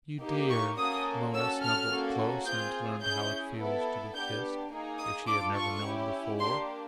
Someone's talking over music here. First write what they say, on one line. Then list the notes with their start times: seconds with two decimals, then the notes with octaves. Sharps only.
"You dear!" Mona snuggled close and learned how it feels to be kissed, if she had never known before.
0.21 A#3 D#4 G4
0.49 C#6
0.78 A#3 C#4 F#4 A4 D#6
1.33 C#4 F#4 A4 E6
1.62 F6
1.89 A#3 C#4 F#4 A4
2.46 C4 F4 G#4 G6
3.02 C#4 E4 G#4 G6
3.59 B3 E4 A4
4.14 B3 D4 G4 G6
4.71 A#3 D#4 G#4
4.99 D#6
5.27 D4 F4 A4 D6
5.56 C#6
5.84 C#4 E4 G4
6.39 A#3 D4 G4 C6